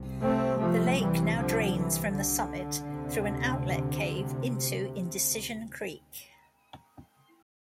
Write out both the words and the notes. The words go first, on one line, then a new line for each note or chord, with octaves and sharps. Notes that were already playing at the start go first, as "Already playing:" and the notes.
The lake now drains from the summit through an outlet cave into Indecision Creek.
Already playing: C2 C3
A3 C4
F3 A3
E3 G3
D3 F3
E3
D3
D2 C3